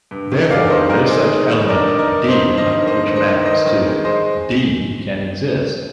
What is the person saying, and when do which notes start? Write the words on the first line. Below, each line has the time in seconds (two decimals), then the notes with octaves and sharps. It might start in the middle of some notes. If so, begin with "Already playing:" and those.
Therefore, no such element "d" which maps to "D" can exist.
0.11 G2
0.32 D#3
0.50 G2 D5 F5
0.70 D#3 C5 D#5
0.90 G#3 A#4 D5
1.10 D#4 G#4 C5
1.29 D#3
1.50 D#3
1.69 G2 A#4 D5
1.88 D#4
1.99 A#4 D5
2.08 D#4
2.28 G2 C5 D#5
2.48 G2
2.57 C5 D#5
2.66 D#3
2.86 D#3 C5 D#5
3.07 G2
3.16 C5 D#5
3.27 D#3
3.45 G2 C5 D#5
3.66 D#3
3.86 G#3
4.05 G#3 C5 D#5